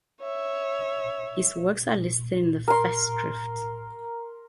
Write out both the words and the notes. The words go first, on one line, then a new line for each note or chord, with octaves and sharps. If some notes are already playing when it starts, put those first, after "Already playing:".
His works are listed in the festschrift.
C#5 E5
A#4 C6